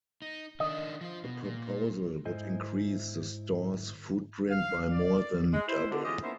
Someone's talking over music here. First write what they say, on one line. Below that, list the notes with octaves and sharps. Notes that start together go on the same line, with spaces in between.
The proposal would increase the store's footprint by more than double.
D#4
D#3 D4 D#5
F3 F4
B2
A#2
G#2 E4 C5 D#5 G#5
F5
D5
G#3
E4 C5
B2 D3
E3 G#3 C#4 F4 G4 D#5
A#3 B3 C#4 D#4 E4 C5